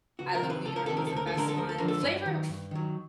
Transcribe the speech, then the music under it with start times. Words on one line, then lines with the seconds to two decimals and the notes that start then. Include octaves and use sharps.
I Love New York was the best one. Flavor Fl
0.19 C#2 F#4
0.35 A#4
0.42 C3 D#3
0.50 B4
0.65 C#2 A4
0.76 A#4
0.86 C3 D#3 A4
0.97 A#4
1.07 D2 A4
1.16 A#4
1.27 A4
1.34 D3 F3 G#3 A#4
1.48 A4
1.56 D2 A#4
1.69 A4
1.78 D3 F3 G#3 A#4
1.88 A4
2.02 G2 B4
2.26 D#3 F#3
2.49 G2
2.71 D#3 F#3